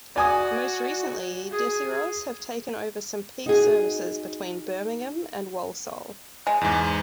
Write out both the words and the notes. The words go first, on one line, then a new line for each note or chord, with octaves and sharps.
Most recently Desiros have taken over some peak services between Birmingham and Walsall.
F#4 D5 G#5 D#6
G#4
D#4 F#4 G#4
G#3
E2 G#2